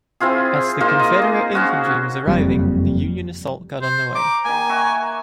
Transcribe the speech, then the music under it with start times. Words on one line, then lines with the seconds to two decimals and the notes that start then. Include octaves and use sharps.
As the Confederate infantry was arriving, the Union assault got underway.
0.20 C4 E4 F4 G#4
0.80 A#3 D#4 F4 C5
0.99 D#5
1.22 G#4
1.55 C#4 F#4
2.27 F#1 F2 G3
3.82 C5
4.15 A#5 D6
4.45 D#3 A#3 G#5
4.69 F#4 E5 C#6